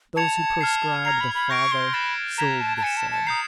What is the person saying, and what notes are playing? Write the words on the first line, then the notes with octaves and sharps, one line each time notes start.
Those who proscribed the father, sold the son.
A5 G#6 C#7 F7
F6 G#6 C7
A#5 F6 G#6 C7 F7
B5
B5
C#6 G6 A#6 D7 F7
C6
B5 F#6 A6 C7 E7 G7
A#5 G#6 B6 E7
A5
A5
G#5 A6 C#7 E7
A5
A5
A#5 D#6 G6 C7